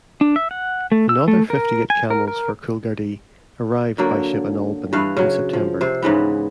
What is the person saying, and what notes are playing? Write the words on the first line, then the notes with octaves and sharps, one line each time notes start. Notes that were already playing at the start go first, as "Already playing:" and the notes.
Another fifty-eight camels for Coolgardie arrived by ship in Albany in September.
D4
E5
F#5
A3
E6
A3
A#4
G#5
A#4
A#4
D3 F#3 A#3
G2 E3 B4 F5
C#3 F#3
F3
C3 C5
G#2 C#3 E3 B3